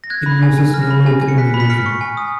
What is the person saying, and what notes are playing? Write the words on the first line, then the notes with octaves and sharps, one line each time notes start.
It uses numerical integration.
A#6
F#6 G#6
B5
G#5
G#5
F6 A#6
B5
G#5
G#5
C#7
F#6 B6
B5
B6
F6 C#7
C#6
G#5
D#6